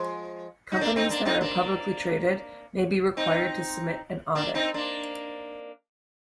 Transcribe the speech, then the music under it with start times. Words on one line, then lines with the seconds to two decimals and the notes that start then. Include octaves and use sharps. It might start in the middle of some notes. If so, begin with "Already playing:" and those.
Companies that are publicly traded may be required to submit an audit.
Already playing: F3 G#3
0.72 D#4
0.81 A#3 D4
0.96 C4 D#4
1.10 A#3 D4
1.25 C4 D#4
1.41 A#3 D4
3.17 C4 D#4
4.35 A#3 D4
4.55 C4 D#4
4.74 A#3 D4